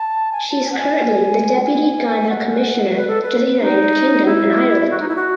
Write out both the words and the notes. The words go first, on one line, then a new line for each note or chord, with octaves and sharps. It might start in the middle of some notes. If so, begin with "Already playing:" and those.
She is currently the deputy Ghana commissioner to the United Kingdom and Ireland.
Already playing: A5
G#5
A5
G#5
F#5
G#5
G#5
F#5
B4
A4
B4
D#4
E4
F#4
D#4
E4
F#4